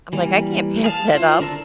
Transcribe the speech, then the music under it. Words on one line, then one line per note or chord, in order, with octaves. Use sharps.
I'm like, "I can't pass that up."
E3 G3 A#3
G#4 F5 A5
E4 F4 C5
D3 D4 A#4 A5 E6